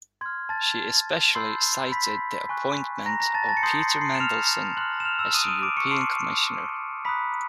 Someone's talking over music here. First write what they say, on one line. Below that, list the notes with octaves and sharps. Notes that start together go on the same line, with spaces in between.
She especially cited the appointment of Peter Mandelson as a European Commissioner.
C6 F6 G#6
A5 A6
B5 C6 E6 G6 C7
B5 B6
G#5 C#6 F#6
A#5 A#6
A#5 A#6
A5 A6
A#6
A5 A6
C#7
A#5 C6 D#6 G6 C7
C6 C7
C6 C7
E7
F6 F7
C6 F6 F#6 F#7
E7
F6 F7
E6 E7
D#6 D#7
D7
D#6 D#7
D6 D7
C#6 C#7
A5 C6 D6 F6 C7
A#5 B5 D#6 F#6 B6